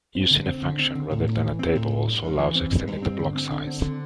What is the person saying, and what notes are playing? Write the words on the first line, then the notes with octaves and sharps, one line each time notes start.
Using a function rather than a table also allows extending the block size.
C4
D3
C4
D3
C4
D3
A2
A2
E3
C4
A2
A2
G2
G2
E3
C4
G2
G2
C4
D3
C4
D3
C4
D3